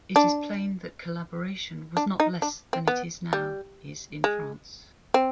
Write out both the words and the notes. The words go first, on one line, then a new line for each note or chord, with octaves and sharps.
It is plain that collaboration was not less than it now is in France.
D4
D4
D#4
D4
C4
B3
G3
G#3
C4